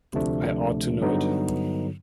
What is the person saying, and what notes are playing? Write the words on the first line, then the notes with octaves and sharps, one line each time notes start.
I ought to know it.
D2 C3 F3 A3 D4
G2 D3 F#3 B3 D#4